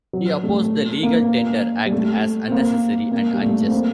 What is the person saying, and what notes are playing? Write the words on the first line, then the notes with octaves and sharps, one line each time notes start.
He opposed the Legal Tender Act as unnecessary and unjust.
F#3
A3
A#3
G3
A3
C4
A#3
A#3
G3
A3
C4
A#3